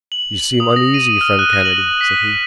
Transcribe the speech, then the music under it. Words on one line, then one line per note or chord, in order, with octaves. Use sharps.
"You seem uneasy, friend Kennedy," said he.
F#7
D#6
A#6
D#7
F6
F#6
A#6
F#7
B6